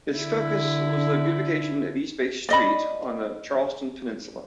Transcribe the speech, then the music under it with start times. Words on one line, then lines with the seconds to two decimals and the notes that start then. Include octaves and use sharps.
His focus was the beautification of East Bay Street on the Charleston peninsula.
0.16 D3 E4
2.49 D5 D#5 B5